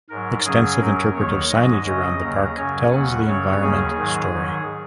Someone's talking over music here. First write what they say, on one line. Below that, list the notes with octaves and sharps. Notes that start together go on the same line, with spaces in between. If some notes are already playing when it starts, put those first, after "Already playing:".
Extensive interpretative signage around the park tells the environment story.
G#2 F#3 A#4
F#2 C#3 F#3 G#4
F#2 F#3 A#4
D#2 D#3 F#3 C#5
G#2 F#3 D#5
F#2 C#3 F#3 D#5
D#2 C#3 F#3 A#5
F#2 C#3 F#3 G#5
D#2 C#3 F#3 F#5
F#2 C#3 F#3 C#5
D#2 C#3 F#3 G#4
G#2 D#3 F#3
G#2 D#3 F#3